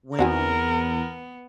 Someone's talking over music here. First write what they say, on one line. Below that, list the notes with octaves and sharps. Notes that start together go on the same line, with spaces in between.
when you
E2 B3 C4 F#4 A#4 G#5